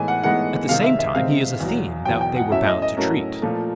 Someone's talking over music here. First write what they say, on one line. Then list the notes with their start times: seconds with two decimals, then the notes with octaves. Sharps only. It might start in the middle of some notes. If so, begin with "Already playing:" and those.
At the same time he is a theme that they were bound to treat.
Already playing: A2 E3 G#3 B3 D#4 G#5
0.08 F#5
0.23 A2 E3 G#3 B3 D#4 F#5
0.69 C3 D#3 G#3 C4 F5
0.84 E5
0.99 E5
1.15 C3 D#3 G#3 C4 F5
1.60 E2 B2 F#3
2.05 E2 B2 F#3 G5
2.21 G5
2.36 F#5
2.51 A2 F#3 A3 C#4 E5
2.67 D#5
2.82 D#5
2.97 A2 F#3 A3 C#4 A#4
3.42 A#2 F3 A3